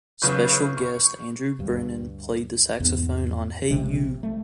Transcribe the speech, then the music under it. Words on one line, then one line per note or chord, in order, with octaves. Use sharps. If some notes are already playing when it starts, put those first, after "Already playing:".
Special guest Andrew Brennan played the saxophone on Hey You!!!
G1 C#3 F#3 B4 C#6 G6
C#6
D2 G2
E2 G#2 B3
A#1 C3 G#3
A3